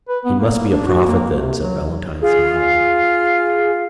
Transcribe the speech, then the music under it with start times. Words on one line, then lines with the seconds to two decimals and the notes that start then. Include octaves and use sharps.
"He must be a prophet, then," said Valentine, smiling.
0.09 B4
0.25 B3
0.39 A#3
0.71 D4
0.87 F#4
1.07 A#3
1.36 C3
1.62 F#3
2.22 F4 G#4